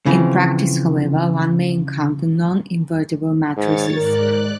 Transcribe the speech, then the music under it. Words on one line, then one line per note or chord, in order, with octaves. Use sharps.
In practice however, one may encounter non-invertible matrices.
C#3 E3 F3 C4
G#2 D#3 C#5 A6
G#2 A#4 D5 F#6